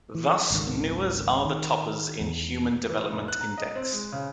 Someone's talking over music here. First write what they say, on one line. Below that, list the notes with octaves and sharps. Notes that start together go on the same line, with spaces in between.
Thus, Newars are the toppers in Human Development Index.
E3
G#1 C#2 D#3
D#3
E2
E3
F1
F#6
A#5
D#5
C4
G#3
C#3